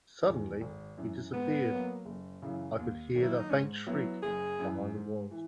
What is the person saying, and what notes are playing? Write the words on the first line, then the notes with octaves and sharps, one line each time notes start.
Suddenly, he disappeared, and I could hear a faint shriek behind the walls.
E2 D#3
G#1
F#2 E3
G#2 B3
F#3 A#3
F#1
F#2 C#3 E3
D#2
D#3 F#3 A#3
E4
D#4
G#2 C#4
F#3 B3 E4
F#1 G#4
F#2 E3
G#2
E3